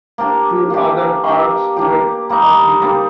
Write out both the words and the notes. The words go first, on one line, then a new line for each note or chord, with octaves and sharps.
Two other arcs were completed.
A#3 D4 G4
A#3 D4 G4
A#3 D4 G4
A#3 D4 G4
G3 A#3 D#4
G3 A#3 D#4